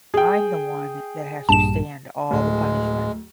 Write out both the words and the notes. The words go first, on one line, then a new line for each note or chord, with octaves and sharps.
I'm the one that has to stand all the punishment.
G#4 G5
A#1 G2 A5 E7
D1 G#3 A3